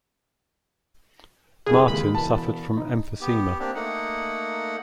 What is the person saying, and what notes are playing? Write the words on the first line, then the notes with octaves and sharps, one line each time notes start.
Martin suffered from emphysema.
F1 C2 G#4
D#2 G#3 B5
E1 E3 A5
D#4
B3 G4
A#3 C4 D4 G4
A3 A#3 D#4 F#5